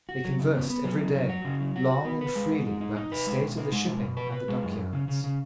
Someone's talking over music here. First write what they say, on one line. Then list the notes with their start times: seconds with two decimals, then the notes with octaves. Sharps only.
They conversed every day long and freely about the state of the shipping and the dock-yards.
0.09 F#4
0.24 F#3
0.39 C#3
0.54 B3
0.70 B3
0.84 F#3
0.99 C#3
1.15 F#3
1.29 F#4
1.45 C#3
1.60 F#3
1.76 F#4
1.91 F#4
2.05 B3
2.21 B4
2.35 G#3
2.51 D#4
2.67 G#3
2.81 D#4
2.96 D#4
3.12 B4
3.27 G#3
3.41 B2
3.57 D#4
3.72 G#3
3.87 B2
4.02 B2
4.17 B4
4.32 B4
4.48 G#3
4.63 F#2
4.77 F#2
4.92 C#3
5.08 C#3
5.24 C#3